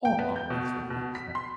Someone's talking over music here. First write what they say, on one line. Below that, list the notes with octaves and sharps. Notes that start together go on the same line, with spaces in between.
Aww, that's very nice, thank
G5
B3
G6
B2
B2
B6
C6